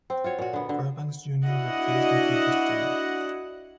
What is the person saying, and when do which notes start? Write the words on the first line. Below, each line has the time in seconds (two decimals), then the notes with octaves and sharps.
Fairbanks Junior refused and quit the studio.
0.10 C4
0.24 F4 F#4 C#5
0.39 A#2 F#4
0.53 D3 B3
0.69 D3
1.45 D4 E4 F#4 D#5 F#5